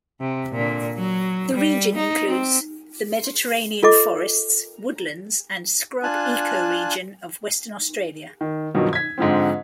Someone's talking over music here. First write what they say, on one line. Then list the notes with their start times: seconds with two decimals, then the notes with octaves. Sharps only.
The region includes the Mediterranean forests, woodlands, and scrub ecoregion of Western Australia.
0.20 C3
0.53 A#2 D3
0.95 F#3
1.53 G3
1.95 D#4
2.28 C4
3.83 F4 A4 D#5 D6
6.03 D4 F4 G#5 A5 F#6
8.41 D#3
8.75 G2 B2 D#3 F3 F#3
8.93 G#6 B6
9.18 G#2 D3 F3 C4